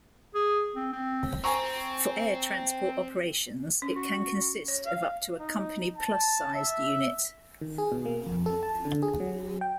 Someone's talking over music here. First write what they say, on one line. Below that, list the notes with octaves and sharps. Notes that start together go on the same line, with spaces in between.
For air transport operations, it can consist of up to a company-plus-sized unit.
G#4
C4
C4
C4 G#5 A#5 C#6
C#4
F#4
C#5
F5
D#4
A5
E5
D#3
G#4
B2
A#3
F2
A4
A5
D3
G#4
F#3
G5